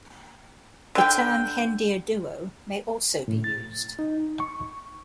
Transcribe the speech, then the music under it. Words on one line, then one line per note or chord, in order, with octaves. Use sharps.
The term hendiaduo may also be used.
D3 G5
A2
A6
D#4
C#6